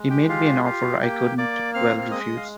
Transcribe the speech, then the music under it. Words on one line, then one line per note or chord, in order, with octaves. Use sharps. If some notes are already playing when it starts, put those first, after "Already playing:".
He made me an offer I couldn't well refuse.
Already playing: G#3
G4 G5
F4 G4 F5
F4 G4 F5
A#3 G4 G5
A#3 D5 D6
C4 F5 F6
F6
G#3 D#5 D#6
F5